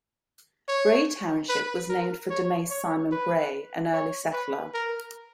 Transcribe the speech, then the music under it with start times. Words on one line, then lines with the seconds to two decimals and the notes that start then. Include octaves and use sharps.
Bray Township was named for Damase Simon Bray, an early settler.
0.68 C#5
1.49 B4
1.89 A#4
2.30 C#5
2.70 C#5
3.12 B4
3.93 C#5
4.33 B4
4.74 A#4